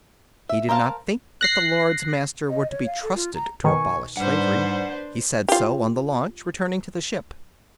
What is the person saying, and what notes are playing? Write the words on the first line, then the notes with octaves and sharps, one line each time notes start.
He did not think that the Lords-Master were to be trusted to abolish slavery; he said so, on the launch, returning to the ship.
E5
A#4 C5 E5 F5 A5
F#6 A#6 C7
D#5
C#5
F5
A4
F4
A#5
B2 D#3 G#5 C#6
G#2 G3 D4 B4 C5 F#5
F4 G4